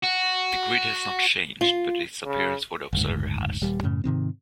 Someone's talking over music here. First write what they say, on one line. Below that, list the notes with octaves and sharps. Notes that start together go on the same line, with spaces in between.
The grid has not changed, but its "appearance" for the observer has.
F#4
F4
C#3
F#1 D2 G#2
D#1 G3
F#2 A2 C#3
G#2 C3 D#3 C4